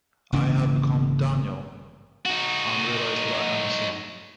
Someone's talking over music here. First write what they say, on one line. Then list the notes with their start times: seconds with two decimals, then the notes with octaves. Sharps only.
I had become "Daniel" and realized that I am a son.
0.32 G#1 C#3 E3 A#3
2.26 D#4 F#4